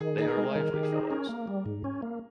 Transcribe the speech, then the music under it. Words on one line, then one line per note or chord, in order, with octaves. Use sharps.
They are lively fellows.
D#3 G#4
D#4 G#4
A#4
G#3
D#3 A#4
D#3 G4
G#4
D#4
C#4 A#4
A#3
G3
G#2
C#4
A#3